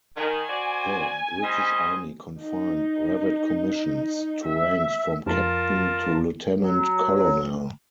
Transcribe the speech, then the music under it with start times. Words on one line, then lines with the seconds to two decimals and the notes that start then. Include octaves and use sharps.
The British Army confined brevet commissions to ranks from captain to lieutenant-colonel.
0.17 D#3 G#5
0.49 F#4 C5 D5
1.43 G3 C5 D#5
2.41 D#4
4.45 E5
5.26 F2 F4 A#4 A5
6.60 F#3